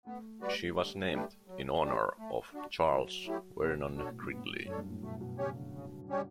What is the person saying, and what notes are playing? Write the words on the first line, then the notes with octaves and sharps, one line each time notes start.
She was named in honor of Charles Vernon Gridley.
A3 B3
G3 F#4 B4 D5
D3 G3
A3 D4 G4 B4
F#3
A3 D4 G4 D5
A3
D4 F#4
D3 F#3
F#3 A3 E4 G4
B2 B3
B2 D4 F#4 A4 C#5
A2
G2
B3
A2
F#2 D4 A4 C#5
G2
A2
B2 A3
B2
C#3 C#4 G4 C#5
D3
C#3
G3 C#4 G4 C#5